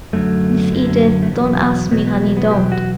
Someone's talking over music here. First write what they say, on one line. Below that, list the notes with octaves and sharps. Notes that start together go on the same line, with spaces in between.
Miss Edith, don't ask me, honey--don't!
F#2 D3 F#3 A3
F#2 D3 F#3
A3
E2 B2 F#3 B3
E2 B2 F#3 B3
B3
A3
B3
E2 B2 F#3 G4
F#4